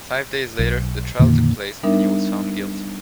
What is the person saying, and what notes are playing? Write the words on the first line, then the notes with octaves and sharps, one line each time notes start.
Five days later, the trial took place and he was found guilty.
B1
F2 A#2 D3 D#3 A#3
G3 B3 D4 D#4 A#4 E5